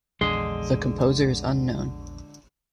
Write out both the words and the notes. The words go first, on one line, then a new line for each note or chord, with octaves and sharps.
The composer is unknown.
A#1 E2 D3 G#3 D4 D#5 C6